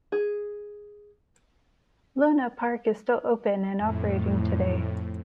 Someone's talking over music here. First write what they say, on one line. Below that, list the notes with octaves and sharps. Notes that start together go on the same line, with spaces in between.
Luna Park is still open and operating today.
G#4
F2 A2